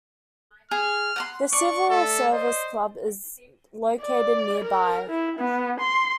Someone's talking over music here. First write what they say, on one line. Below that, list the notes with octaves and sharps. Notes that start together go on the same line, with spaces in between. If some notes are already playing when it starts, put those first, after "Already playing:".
The Civil Service Club is located nearby.
G#4 F6
F#5 A#5 C6
D4 D5 C#6
A3 A4
C5 D#5
D5
A#4
E4
B3
C6